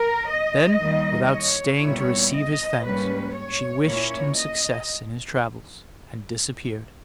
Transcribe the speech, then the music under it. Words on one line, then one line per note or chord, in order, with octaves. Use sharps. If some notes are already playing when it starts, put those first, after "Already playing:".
Then, without staying to receive his thanks, she wished him success in his travels and disappeared.
Already playing: A#4
D#5
D#2 D#3 G3
C#5
A#2 G3 B3 E4
D#5
G#2 G3 A#3 C#4 B4
C#5
A#2 A#3 C#4 E4 C#5
D#5